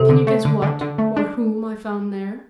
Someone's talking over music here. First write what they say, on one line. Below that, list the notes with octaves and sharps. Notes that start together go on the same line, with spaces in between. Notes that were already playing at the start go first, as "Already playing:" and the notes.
Can you guess what, or whom, I found there?
Already playing: C3 A4
D3
A3
D3
D3
D3
A3
D4